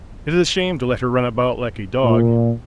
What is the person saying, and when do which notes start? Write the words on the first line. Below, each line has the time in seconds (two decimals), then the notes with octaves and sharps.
It is a shame to let her run about like a dog.
2.04 A#2